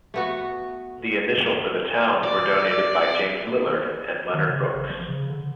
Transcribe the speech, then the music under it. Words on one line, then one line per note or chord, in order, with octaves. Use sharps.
The initial for the town were donated by James Lillard and Leonard Brooks.
A3 B3 F#4
D5
D5
D#3
C#3
A1
F3
C#3
D3